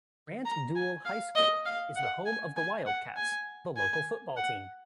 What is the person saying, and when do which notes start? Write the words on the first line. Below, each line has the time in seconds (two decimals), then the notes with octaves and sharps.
Grant-Deuel High School is the home of the Wildcats, the local football team.
0.45 A#5
0.75 G#5
1.05 F5
1.35 D#5
1.65 F5
1.96 F#5
2.25 G#5
2.56 G#5
2.86 F#5
3.16 G#5
3.77 G#5
4.36 F#5